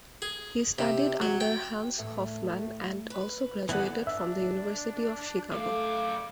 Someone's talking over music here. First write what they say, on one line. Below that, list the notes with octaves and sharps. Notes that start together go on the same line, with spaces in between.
He studied under Hans Hofmann, and also graduated from the University of Chicago.
G#4
C3
F#3
G5
E2 A2 A3
B4
D3 E3 A3 B3 D5 F#5
D4 E5
F#2 A3 F5 D6